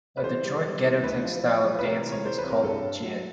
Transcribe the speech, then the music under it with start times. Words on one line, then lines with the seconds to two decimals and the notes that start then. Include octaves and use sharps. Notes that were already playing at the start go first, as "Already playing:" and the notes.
A Detroit ghettotech style of dancing is called the jit.
0.17 B4
0.24 E3 C5
0.44 G3
0.64 G3
0.84 E3
1.03 D2 B4
1.23 F3
1.43 F3
1.64 F3
1.79 B4
1.84 C3 A#4
2.04 E3
2.12 C#5
2.24 E3 C5
2.38 B4
2.44 C2
2.50 A#4
2.63 G2 A4
2.83 G2
3.03 F#3